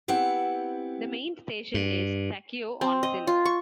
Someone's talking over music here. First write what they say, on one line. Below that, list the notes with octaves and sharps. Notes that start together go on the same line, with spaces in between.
The main station is Takeo-Onsen.
B3 C4 E4 G4 F#5
G2
C4
D#5
F4
C#6